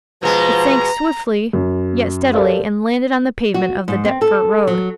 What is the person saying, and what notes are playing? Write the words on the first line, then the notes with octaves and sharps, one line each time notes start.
It sank swiftly, yet steadily, and landed on the pavement of the Deptford Road.
B2 F3 G#3 B4 A#5
F#2
G4 A4 A#4 C5 D5 F5
F#4
G#2
C4
A4
F#3